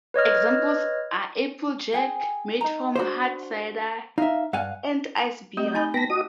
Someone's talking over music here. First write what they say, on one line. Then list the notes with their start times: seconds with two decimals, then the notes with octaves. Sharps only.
Examples are applejack, made from hard cider, and ice beer.
0.14 B4 C#5 D#5 F6
1.93 G#4 G5 G#5
2.61 D#4 A#5
2.96 D4 F4 F#4 C5
4.18 D#4 E5 F5
4.53 G2 F5 F#5 G#5
5.57 A3 C4 G4 D#5 G6
5.75 D#4 G#5 B5
5.94 B3 G5 A5 B5 A#6
6.10 F#4 D#5 D#6